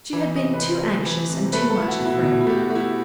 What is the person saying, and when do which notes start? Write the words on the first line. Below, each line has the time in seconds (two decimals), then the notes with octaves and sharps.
She had been too anxious and too much afraid.
0.13 E3
0.35 C3 D#5
0.54 B4
0.59 C3 C5
0.83 A3
1.06 E3
1.30 C3
1.53 A3 B4
1.70 A4
1.76 A3
1.82 E4
1.88 F#4
2.00 B2
2.06 E4
2.18 F#4
2.23 B2 E4
2.41 E4
2.47 A3 G4
2.58 F#4
2.70 A3
2.75 E4